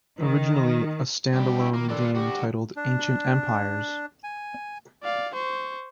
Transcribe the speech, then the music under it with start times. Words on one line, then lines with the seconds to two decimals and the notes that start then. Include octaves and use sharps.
Originally a stand-alone game titled Ancient Empires!
0.19 D#3
1.33 F#2 G3 G4
1.60 E4
1.74 D#3 A#3
1.89 G3 D4 F4 A4 D5
2.15 D2 F#4 G4
2.76 D4
4.24 G#5
5.03 D5 F5
5.34 C5 C#6